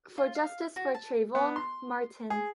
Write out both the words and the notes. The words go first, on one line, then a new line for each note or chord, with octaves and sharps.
For justice for Trayvon Martin.
F4
F5
F#4
A5
B3
C6
G#4